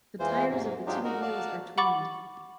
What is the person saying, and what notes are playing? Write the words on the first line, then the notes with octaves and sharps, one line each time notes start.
The tires of the two wheels are twinned.
E2 E3 G#3 F4 C5
G#2 C3
G#2 F#3 D4 D#4 F4 G4
D#4 F#4 A#4
F#4 D5 F5 A5
F#5 B5 C#6 D6 A6